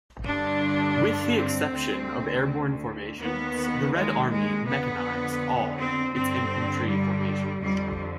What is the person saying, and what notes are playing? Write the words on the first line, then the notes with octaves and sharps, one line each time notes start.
With the exception of airborne formations, the Red Army mechanized all its infantry formations.
G2 D3 D4
C4
D2 D3
D#2 D#3 B3
G#3
G#3
F2 D3 B3
C4
G2 D3 C4
G3
F2 D3 G3